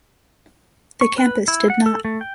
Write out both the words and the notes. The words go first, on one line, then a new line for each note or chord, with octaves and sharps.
The campus did not.
C#6
B4
E4
F#5
A4
A3
G5